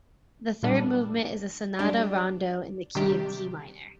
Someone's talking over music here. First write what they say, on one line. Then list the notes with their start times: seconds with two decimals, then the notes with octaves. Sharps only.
The third movement is a sonata-rondo in the key of D minor.
0.63 A#2 G3 D4
1.79 G3 D4 G4 D5
2.95 C3 D#3 G3 D4 G4